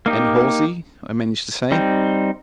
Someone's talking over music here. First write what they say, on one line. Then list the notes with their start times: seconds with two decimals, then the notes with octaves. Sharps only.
"And Halsey?" I managed to say.
0.06 A#3 D#4 G4
1.72 G3 C4 D#4